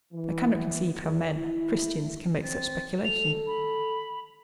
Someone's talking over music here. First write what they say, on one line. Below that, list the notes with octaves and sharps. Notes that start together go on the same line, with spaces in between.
I cannot conceive how men, Christians, can make such speculation.
E3
E2
E4
C4 A6
A4 F7
B5